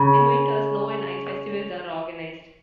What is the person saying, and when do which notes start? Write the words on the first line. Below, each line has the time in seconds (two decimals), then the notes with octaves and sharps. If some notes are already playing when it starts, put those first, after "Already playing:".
In winter, snow and ice festivals are organized.
Already playing: C#3